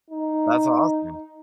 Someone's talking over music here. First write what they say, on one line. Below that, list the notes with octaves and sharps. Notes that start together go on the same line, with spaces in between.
That's awesome.
D#4